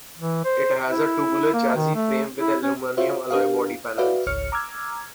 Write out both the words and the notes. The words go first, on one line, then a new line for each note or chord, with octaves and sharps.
It has a tubular chassis frame with aluminium alloy body panels.
E3
C5
E4
A#3
D#3
A3
E4
C#4
F4 F#4 C5 C#5 E5 F5
D4 G4 A#4 F5
F#4 B4 D5 E5 F5
G#1 C#2 C#5 F6 C#7
A#5 D6 E6 F6 G#6